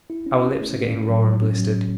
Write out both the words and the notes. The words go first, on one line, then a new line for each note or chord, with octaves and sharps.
Our lips are getting raw and blistered.
E4
C#4
C#4
A3
A2
A2
F#3
F#3
C#4
F#3